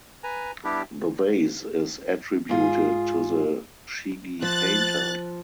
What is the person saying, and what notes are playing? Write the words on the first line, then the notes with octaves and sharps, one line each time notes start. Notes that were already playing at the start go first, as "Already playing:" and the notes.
The vase is attributed to the Chigi Painter.
B4 G#5 A#5
G3 B3 D4 E4 G4
G#2 F4 G#4
F3 F#6 A6